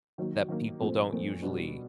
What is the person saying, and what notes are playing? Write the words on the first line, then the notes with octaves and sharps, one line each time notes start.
that people don't usually
D#3 F#3 A#3
D#3 F#3 A#3
A#2 F3 A3 C4
A#2 F3 A3 C4
B2 G3 B3 D4